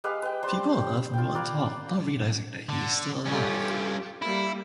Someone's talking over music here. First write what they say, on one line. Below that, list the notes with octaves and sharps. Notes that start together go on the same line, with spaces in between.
People on Earth mourn Tom, not realising that he is still alive.
G#3 G4 B4 F5
B4 G5
G3 C5 C6
F4 G5
A#3 A#4 B4 D5
D3
G2 C#4 F4 G4 A4
G3 A#3 E4